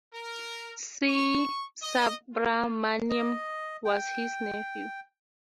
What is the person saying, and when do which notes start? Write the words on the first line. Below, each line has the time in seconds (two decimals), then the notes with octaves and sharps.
C. Subramaniam, was his nephew.
0.13 A#4
1.08 C#6
1.82 D#5
2.33 F4
3.10 D#5
3.85 G5